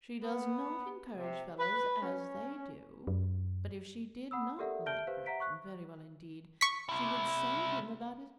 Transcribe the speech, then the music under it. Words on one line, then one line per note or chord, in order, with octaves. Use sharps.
She does not encourage fellows as they do; but if she did not like Bracton very well indeed, she would send him about his business.
B3
C3
B4
C#4
F#2
F#5 B5 D#6 E6
G4 A4 A#4 D5 E5 F#5
E5 A5 F6 G6 D7 G7
G4 B4 C5 F5
E5 F#5 A#5 B6 D7
C#6 F#6
C#6 B6
C3 E4